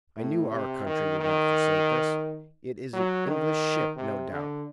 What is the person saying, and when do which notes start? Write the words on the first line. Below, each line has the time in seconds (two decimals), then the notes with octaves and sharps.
"I knew our country would not forsake us; it is an English ship, no doubt."
0.16 A2
0.51 C3
0.86 D#3
1.20 D#3
2.93 F#3
3.27 D#3
3.97 C3
4.31 D3